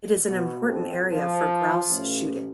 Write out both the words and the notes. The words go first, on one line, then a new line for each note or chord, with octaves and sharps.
It is an important area for grouse shooting.
B2
F2
F3
A1